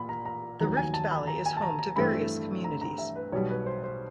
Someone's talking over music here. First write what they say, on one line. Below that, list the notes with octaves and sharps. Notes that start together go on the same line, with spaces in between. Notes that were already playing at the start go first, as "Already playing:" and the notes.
The Rift Valley is home to various communities.
Already playing: A#2 A#3 B5
A#5
A#5
F1 D#2 D#3 F#3 A#5
G#5
A5
B5
A#5
G#5
A5
A#5
A#5
G2 E3 A3 C4 B5
A#5
A#5
E5
B4
B1 B2 G3 C#5
B4
C5
C5